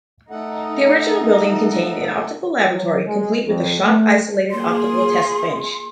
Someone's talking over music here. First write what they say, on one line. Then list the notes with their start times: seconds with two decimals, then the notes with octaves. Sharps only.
The original building contained an optical laboratory complete with a shock-isolated optical test bench.
0.30 A3 D#4 A4 F#5
2.73 F#3
3.07 G#3
3.46 F2
3.85 A3
4.51 A#3 F4 G#4 C6